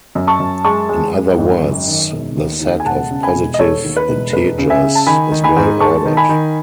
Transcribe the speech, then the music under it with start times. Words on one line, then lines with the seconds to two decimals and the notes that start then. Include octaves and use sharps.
In other words, the set of positive integers is well-ordered.
0.15 F#2
0.27 A5 C#6
0.40 F#2
0.65 G#3 A5 C#6
0.89 G#3
1.13 G#3
1.38 G#1
1.63 F#2
1.88 D#3
2.12 E1
2.37 D#2
2.61 D#2
2.80 G#5
2.85 E1 F#5 A5
3.11 C#3
3.23 G#5 B5
3.35 E1
3.54 D#5
3.59 E1 A4 C#5
3.84 D#2
3.97 B4
4.08 E1
4.33 E1 B4
4.58 C#3
4.70 E5 G#5
4.82 C#3
4.95 A5
5.07 D#3 G#5 B5
5.31 D#3
5.44 G#5 B5
5.56 G#2
5.80 G#3 A5 C#6
6.05 D#3
6.17 G#5 B5
6.29 D#3